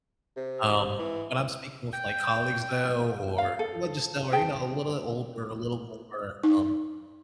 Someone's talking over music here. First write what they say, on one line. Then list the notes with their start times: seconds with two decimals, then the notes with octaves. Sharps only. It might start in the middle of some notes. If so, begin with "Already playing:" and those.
um, when I'm speaking with, like, colleagues, though, or people I just know are, you know, a little bit older, a little more, um,
0.36 C3
0.99 E3
1.93 G5
3.38 F5
3.59 A4
4.32 G#4 G5 A5
6.43 D#4